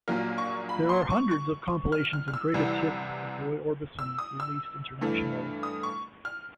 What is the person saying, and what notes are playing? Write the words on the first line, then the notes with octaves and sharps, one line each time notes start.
There are hundreds of compilations and greatest hits of Roy Orbison released internationally.
A#1 A#2 F#3 A#3 F6
C#6
B5
C6
C#6
C#6
F6
F6
F6
E6
C2 C3 E3 G3
E6
D#6
E6
G2 E3 A3
D#6
C#6
F6